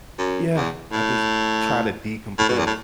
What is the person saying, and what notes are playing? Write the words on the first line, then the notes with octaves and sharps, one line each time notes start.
yeah, I just t try to decompress
F#2
E2
A2
A2
B2
E2
A2